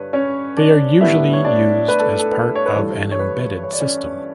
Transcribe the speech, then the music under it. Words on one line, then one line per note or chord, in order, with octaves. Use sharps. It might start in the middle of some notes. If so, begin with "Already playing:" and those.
They are usually used as part of an embedded system.
Already playing: G2 D3 D4 B4 C#5
C#4 C#5
D4 D5
A2 G3 B3 D4 E4 E5
C#5
D4 D5
B4
A4
A4
B4
C#5
B4
G2 E3 A3 A4
C#5
B4
C#5
D5
C#4 C#5